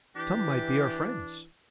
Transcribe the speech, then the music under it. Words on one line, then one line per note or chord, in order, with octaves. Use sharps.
Some might be our friends.
E3 D4 G4